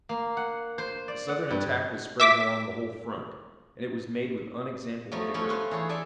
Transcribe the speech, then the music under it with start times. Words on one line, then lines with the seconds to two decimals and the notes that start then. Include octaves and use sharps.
The Southern attack was spreading along the whole front, and it was made with unexampled vigor.
0.09 A#3
0.37 F#5
0.78 C5
1.08 D5
1.29 F#5
1.50 G2
2.20 E5 D6 B6
5.12 F3 F#3 A3 B3
5.34 F3 A3 C#4 E4 C#5
5.49 F4 B4 C5
5.71 E3 G#4 C#5
5.89 A4 D5 E5 G#5